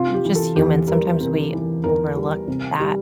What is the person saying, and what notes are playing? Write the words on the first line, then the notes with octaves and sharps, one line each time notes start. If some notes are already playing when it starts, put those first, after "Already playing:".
just humans, sometimes we overlook that
Already playing: C3 F4
G4
E3
A4
E2 G4
G3 A#4
C3 A#4
E3
E2 A#4
G3
C3
G3